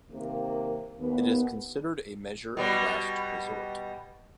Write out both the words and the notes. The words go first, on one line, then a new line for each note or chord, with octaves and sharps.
It is considered a measure of last resort.
C3 D#3 A#3
D#2 B3
B2 G3